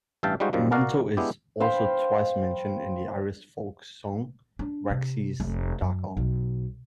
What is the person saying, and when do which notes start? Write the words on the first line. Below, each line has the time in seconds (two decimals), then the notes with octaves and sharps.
Monto is also twice mentioned in the Irish folk song "Waxies' Dargle".
0.23 A1 G2 E5 F5 G5 A5
0.40 G3 G#3 D#4 F4 F#4 C5
0.53 F#2 D#3 F3 G3
0.72 F#4 A#4 D5 F5 F#5
1.17 G#3 B3 D4 E4 G4
1.60 C5 F5 G5 B5
4.59 D4
4.90 C3
5.40 F1
5.81 F#2
6.17 B1